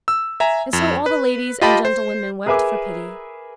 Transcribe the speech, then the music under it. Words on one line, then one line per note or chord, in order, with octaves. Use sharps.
And so all the ladies and gentlewomen wept for pity.
E6
E5 G#5 A#5
F2
B4
F4 G4 D#5 G5 A5 B5
C5
G#4 A#4 B4 E5 G#5 D6